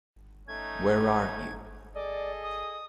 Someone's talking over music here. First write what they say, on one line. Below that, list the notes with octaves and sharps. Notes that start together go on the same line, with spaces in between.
Where are you?
A3 C#4 D#4 G#6
G#4 A4 D5 D#5
D#6